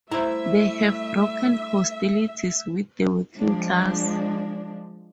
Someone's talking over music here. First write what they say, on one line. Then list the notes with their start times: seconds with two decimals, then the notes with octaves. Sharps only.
They have broken hostilities with the working class.
0.12 G3 A3 E4 C5 E5 A#5
3.37 F3 G#3 D4